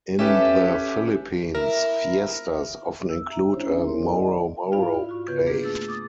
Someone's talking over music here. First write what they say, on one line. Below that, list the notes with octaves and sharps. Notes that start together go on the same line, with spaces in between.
In the Philippines, fiestas often include a "moro-moro" play.
C#4 G4 A4 B4 E5
E4 A#4
E6
E5 A#5
C#4 D4 E4 G4 C5 C#5
E5
B3 E4 G#4 A#4 C#5 C6
D5 D#5 G5
G#2 E4 F4 D5 F5 B5
F4 F#4 C#6
C#3 B3 B4 G6 G#6
A#3 D4 G#4
A3 E6 A6
D6 D#6 A6